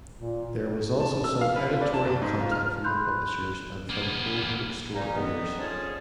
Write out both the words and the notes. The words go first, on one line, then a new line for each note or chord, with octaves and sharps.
There was also some editorial content from the publishers, and from polled bookstore owners.
A#2
A5
E6
F5
B4
F4
D5
A5
F#1
G#2
F4
F6
B5 C6 F#6 G6
A#3 B3
G3 A#3 C#4 D#4
D#3 E3 B3
D3 F3 C#4 G#4 C#5 A5